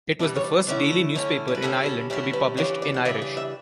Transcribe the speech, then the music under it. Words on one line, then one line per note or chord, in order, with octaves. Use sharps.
It was the first daily newspaper in Ireland to be published in Irish.
E3 G3 B3 D4 D5
C#5
D5
D3 A3 C#4 E4 D5
D3 A3 C#4 E4 C#5
C#5
B4
D3 G3 C#4 E4 A4
A4
D3 G3 C#4 E4 G4
B4
C#3 E3 G3 D4 C#5
D5
F#5
C#3 E3 G3 D4 E5
D5
E5